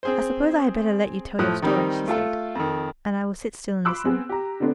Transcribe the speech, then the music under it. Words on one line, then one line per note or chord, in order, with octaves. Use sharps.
"I suppose I had better let you tell your story," she said, "and I will sit still and listen."
C4 G#4 C5
A2 F3 D#6 F#6
D#3 G3 C4 D#4
A3 F4 A4
F2 D#3
B5 C6 D6 E6 F#6
B3 C4 G#4
G4 A#5
D3 A3 B3 C4 D4